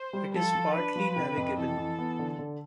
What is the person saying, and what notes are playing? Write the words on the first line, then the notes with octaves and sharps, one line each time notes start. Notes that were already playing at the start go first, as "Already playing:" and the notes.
It is partly navigable.
Already playing: C5
G3
F3 A4
F3
D4 B4
F3
C3
F2
E3 A4
E3
B3
D3
D3